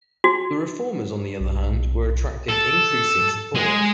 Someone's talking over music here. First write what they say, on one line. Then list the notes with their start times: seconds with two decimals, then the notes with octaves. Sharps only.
The reformers, on the other hand, were attracting increasing support.
0.24 F#4
1.40 B1
2.49 A4
3.55 G#3 G#4